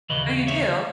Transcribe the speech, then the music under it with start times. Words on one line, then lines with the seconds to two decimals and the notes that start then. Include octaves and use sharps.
Oh, you do?
0.09 D#2 C#3 E3 B4 D#5
0.47 C#5 E5